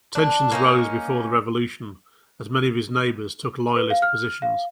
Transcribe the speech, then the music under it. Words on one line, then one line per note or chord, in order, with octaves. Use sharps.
Tensions rose before the revolution, as many of his neighbors took Loyalist positions.
D4
A#3 C#4 D#4
B4
F5
F6
F5